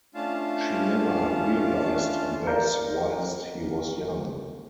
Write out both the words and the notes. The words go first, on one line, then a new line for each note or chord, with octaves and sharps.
She never realised this, whilst he was young.
A3 C#4 D4 F4 F5 A5
A#4 D5 F5 A#5 G6